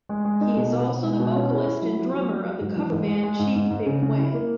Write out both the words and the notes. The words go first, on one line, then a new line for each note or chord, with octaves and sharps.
He is also the vocalist and drummer of the cover band Chief Big Way.
G#3
G#3
D#4
B2
B2
B2
G#3
B2
C#4
E4
E4
F#3
F#3
F#3
F#3
F#3
G#2
E3
G#2
G#3
G#3
G#2
G#2
G#2
C#3
C#3
E4
A#3